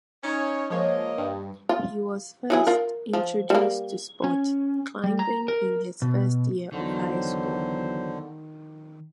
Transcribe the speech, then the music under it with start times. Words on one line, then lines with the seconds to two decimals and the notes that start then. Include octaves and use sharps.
He was first introduced to sport climbing in his first year of high school.
0.24 C#4 D#4 C#5
0.70 F3 G#3 A#3 C#5 D#5
1.18 G2
1.69 F4
2.50 E3 F#3 G#4
2.67 F4 A#4
3.13 F3
3.50 G3 A#3
4.24 C#4
5.04 G3
5.19 A#5
5.48 A#4
6.02 B2
6.73 E2 D3 D#3 F#3 C5